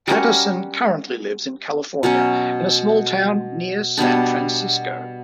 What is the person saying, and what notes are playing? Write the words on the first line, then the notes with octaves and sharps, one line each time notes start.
Pattison currently lives in California, in a small town near San Francisco.
G3 C#4 F#4 A#4
B2 F#3 C#4
B2 G3 B3 D4